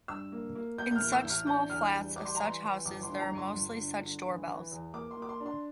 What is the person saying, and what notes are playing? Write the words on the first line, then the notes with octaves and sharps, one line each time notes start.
In such small flats of such houses there are mostly such door bells.
G2 E6
A#3
A#3
A#3 G6
G6
F6
A1
E6
A1
F6
D4 G6
E2 F6
G3
G3 D6
C6
A#5
E3
C6
E3
G1 D6
C6
G2
A5
A#5
G1
C6
G1
D3
D3
E3
E3
E2
A#3 D6
C6
A#3
D6
C6
D4
C6